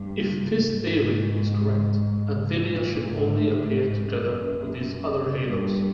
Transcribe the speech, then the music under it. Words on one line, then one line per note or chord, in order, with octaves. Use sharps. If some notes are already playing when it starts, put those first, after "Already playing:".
If this theory is correct, anthelia should only appear together with these other haloes.
Already playing: G2
G#2
A#2
G#2
A2
G#2
F#2
G2